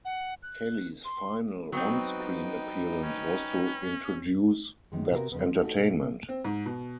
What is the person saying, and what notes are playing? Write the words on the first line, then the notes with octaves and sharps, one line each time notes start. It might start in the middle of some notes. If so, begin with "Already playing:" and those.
Kelly's final on-screen appearance was to introduce That's Entertainment!
F#5
F#6
C6
F#3 B3 C4 D#4 B4 G5
C#4
F#2 D#3 G#3
C3 B3 D#4 E4 F#4 A#4
F2 C#3 B3
F3
A3 D#4 F#4 A4
B2
C4
G#2
B2